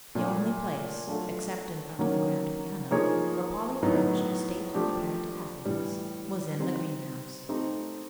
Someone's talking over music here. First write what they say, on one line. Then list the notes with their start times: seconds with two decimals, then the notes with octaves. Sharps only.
The only place, except in front of the grand piano, where Polly approached a state of comparative happiness, was in the greenhouse.
0.15 A#2 F#3 A3 D4
1.07 F#3 A3 D4 F4 A4
1.99 D#3 F#3 A#3 C#4
2.91 F3 A#3 D#4 G#4 C#5
3.82 A2 F#3 B3 D#4
4.74 F3 A3 D4 G4
5.65 A2 E3 G3
6.58 G3 C4 D#4
7.49 A3 C4 D#4 G4